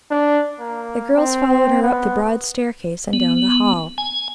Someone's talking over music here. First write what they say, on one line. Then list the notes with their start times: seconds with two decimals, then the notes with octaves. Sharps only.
The girls followed her up the broad staircase and down the hall.
0.10 D4
0.59 A#3
1.16 C4
1.82 B3
3.13 B3
3.98 G#5